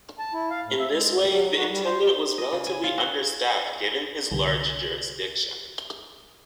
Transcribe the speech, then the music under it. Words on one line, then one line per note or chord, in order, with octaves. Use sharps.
In this way, the Intendant was relatively understaffed given his large jurisdiction.
A5
E4
F5
A2
E5
G#3
D2
F#3
F#4
G3
C5
D#5
C#3
G#5
F4
F#4
C2 D3